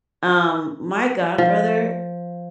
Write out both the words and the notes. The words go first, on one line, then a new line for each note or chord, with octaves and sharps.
um, my godbrother
F3